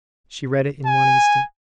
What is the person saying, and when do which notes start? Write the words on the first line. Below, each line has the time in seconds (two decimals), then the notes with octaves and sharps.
She read it in one instant.
0.86 G#5